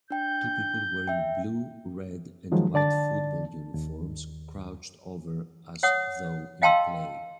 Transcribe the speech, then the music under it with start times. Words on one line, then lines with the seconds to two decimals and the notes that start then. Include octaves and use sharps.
Two people wearing blue, red, and white football uniforms crouched over as though in play.
0.10 D4 G5 G6
1.08 E5 G5
2.52 D#3 F3 F#3 G#3
2.74 D3 D5 A5 A6
3.74 D#2
5.83 C#5 F#5 D#6
6.62 D#5 F5 G5 A5 C6 E6